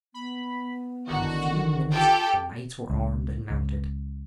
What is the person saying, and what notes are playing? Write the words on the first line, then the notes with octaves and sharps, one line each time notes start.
In a few minutes the knights were armed and mounted.
B3 B5
A1 D3 D#3 F#4
F4 G4 A4 G5
C#2
C#2